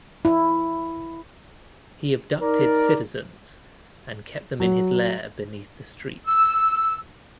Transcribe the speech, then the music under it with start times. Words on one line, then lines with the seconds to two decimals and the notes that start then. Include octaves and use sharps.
He abducted citizens and kept them in his lair beneath the streets.
0.25 E4
2.42 D#4 A#4 D5
4.60 F#3
6.25 E6